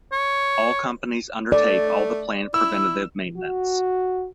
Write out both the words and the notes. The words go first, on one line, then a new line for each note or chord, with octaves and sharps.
All companies undertake all the planned preventative maintenance.
C#5
A3 D5
E4 E6
F#4